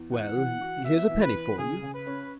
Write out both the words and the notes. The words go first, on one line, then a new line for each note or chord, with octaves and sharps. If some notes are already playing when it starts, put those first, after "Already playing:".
"Well, here's a penny for you."
Already playing: E2
E3 F#5
E3
F#4
B3 E5
E3
B4
E3
C#3 G#4
C#3
B4
C#4